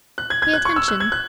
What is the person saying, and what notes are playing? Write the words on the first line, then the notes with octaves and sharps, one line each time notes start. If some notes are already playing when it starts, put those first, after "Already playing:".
Pay attention!
F#6
G#6
G#6
F#6
C#6
E6
F#6
G#6
F#6